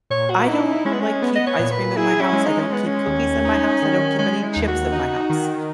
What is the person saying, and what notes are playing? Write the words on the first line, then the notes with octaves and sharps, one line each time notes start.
I don't, like, keep ice cream in my house, I don't keep cookies in my house, I don't keep any chips in my house,
A#2 C#5
F#4
D#4 E4
G#3 C#4
B3
C#4
B3
D#5
C#5
A#2
B4
E4 G#4
C#4
G#3
D#4
C#4
G#3 B3
C#4
D#2
D#4
D#3
G#3 C#4
E4
D#4
D#2 E4
F#4
D#4
D#3